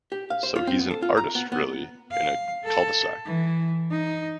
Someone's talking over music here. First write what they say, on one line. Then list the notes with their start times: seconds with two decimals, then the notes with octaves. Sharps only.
So he's an artist really in a cul-de-sac.
0.12 G4
0.30 F5
0.43 C5
0.56 F4
0.67 C4
0.79 B3
0.91 A4
1.02 F4
1.17 A#5
1.35 B3
1.52 B3
2.12 F5
2.64 A4
3.25 E3
3.91 D#4